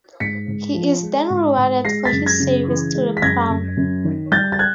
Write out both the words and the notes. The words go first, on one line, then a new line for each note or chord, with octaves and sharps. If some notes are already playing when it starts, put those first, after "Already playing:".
He is then rewarded for his service to the crown.
G#2 B6 C#7
G#2
F3
G#3
G#2
G#2
G#3 A#6 C7
A6 B6
F#2
G#6 A#6
C#3
E3
G#3
B6
F#2 G#6 A#6
F#2
F#2
D#3
G3 G6 A6
A6
F#6 G#6